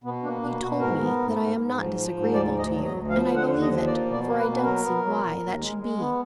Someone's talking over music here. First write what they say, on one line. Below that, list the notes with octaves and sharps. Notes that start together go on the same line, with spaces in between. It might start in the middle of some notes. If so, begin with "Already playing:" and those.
You told me that I'm not disagreeable to you, and I believe it; for I don't see why that should be.
B2 B3
A#3 D4
B2 D4
B2 F#4
G#2 A#4
B3
G#2
G#2
G#2
F3
F3
G#2
D2 D5
D2
D#5
F#3
D#5
D2
F3 F5
D3
F#5
D#2
D#5
F3
A#3 D5
B2
D5
A#3
B4
B2
F#3 A#4
B3
F#3
A#2
D#2
G#3
G#3
B3